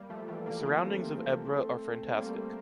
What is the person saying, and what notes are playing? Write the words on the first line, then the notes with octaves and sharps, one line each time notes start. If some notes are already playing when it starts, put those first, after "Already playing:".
The surroundings of Ebre are fantastic!
Already playing: G3 A#3
F3 A3
E3 G3
G3 A#3
A3 C4
G3 A#3